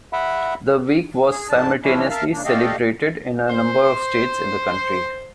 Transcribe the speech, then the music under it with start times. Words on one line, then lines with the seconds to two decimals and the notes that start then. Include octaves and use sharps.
The week was simultaneously celebrated in a number of states in the country.
0.13 E5 F#5 B5
1.31 G#4
1.49 F2 G#2 D4 A5
1.83 E3 F3 G3 C#4 D4 E4
2.10 A#4 E5 F5 A5 F6
2.32 C#3 A#3 D4
2.45 A3 G4 A4 D5 D#5 F5
3.49 C5 C6